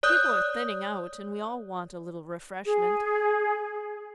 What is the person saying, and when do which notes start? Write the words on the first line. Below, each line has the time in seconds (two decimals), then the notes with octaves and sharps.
People are thinning out, and we all want a little refreshment.
0.03 C#5 D5 D#6 F#6 G6
2.65 G#4